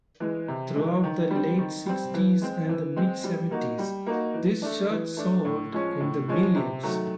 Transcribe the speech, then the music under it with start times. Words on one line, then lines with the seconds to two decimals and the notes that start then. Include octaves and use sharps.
Throughout the late sixties and mid seventies this shirt sold in the millions.
0.20 E3 G#3
0.48 C3
0.75 E3 G#3
1.04 D#3
1.31 G3 C4
1.59 D#3
1.86 G3 C4
2.14 E3
2.42 G#3 C4
2.69 E3
2.96 G#3 C4
3.24 G3
3.51 A#3 D#4 F#4
3.79 G3
4.07 A#3 D#4 F#4
4.34 E3
4.62 A3 D4
4.90 E3
5.17 A3 D4
5.45 A2
5.73 F3 G#3 C#4
6.00 A2
6.28 F3 G#3 C#4
6.56 C3
6.83 D#3 F#3 A3